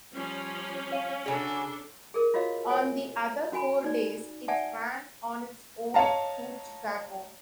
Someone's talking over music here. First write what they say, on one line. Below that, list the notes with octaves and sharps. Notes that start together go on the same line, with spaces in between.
On the other four days, it ran on its own to Chicago.
F3 G3 C#4
C#5 F5 D#7
C#3 F#3 D4 G#4 A4
G#4 A#4
F4 F#4 C#5 D#5 F5
C#5 G#5
C#4 F#4 G#5 B5
D#4 D5
D5 E5 F#5 G#5 A5
C#5 D#5 F5 A5 A#5